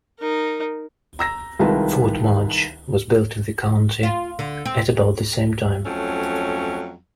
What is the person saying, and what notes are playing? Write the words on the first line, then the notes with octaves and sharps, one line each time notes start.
Fort Mudge was built in the county at about the same time.
D#4 A#4
A#5 E6 A#6
C2 D#3 G#3 F4 B4 A5
F4
D3
C4
F2 F#3 A3 C#4